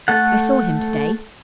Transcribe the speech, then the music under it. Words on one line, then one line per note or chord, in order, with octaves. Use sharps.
"I saw him to-day."
A3 A4 F#5